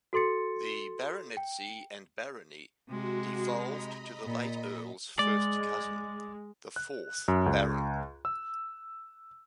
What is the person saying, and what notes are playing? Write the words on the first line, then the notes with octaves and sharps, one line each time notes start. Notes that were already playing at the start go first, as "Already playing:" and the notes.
The baronetcy and barony devolved to the late Earl's first cousin, the fourth Baron.
F#4 A4 C6 A6 C#7
G5
C3 G#3 F#4
D#5 A#5 B5
A#2
G#3 D5
F#6
F#2
C#2
E6